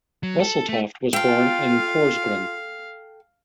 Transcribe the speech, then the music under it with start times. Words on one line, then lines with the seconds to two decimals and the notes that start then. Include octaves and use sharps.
Wesseltoft was born in Porsgrunn.
0.23 F#3
0.40 A4
0.69 A3
1.13 F4 A4 F5 G5